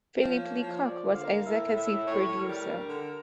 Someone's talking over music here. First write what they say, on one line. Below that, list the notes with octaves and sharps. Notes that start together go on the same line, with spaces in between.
Philip Leacock was executive producer.
F3 C#5
A#3
F3
F3 D5
D3
F5
A#3
A2 E5
A2
E5
A2
A2 C#5
A2
A#4
G3
D4
D3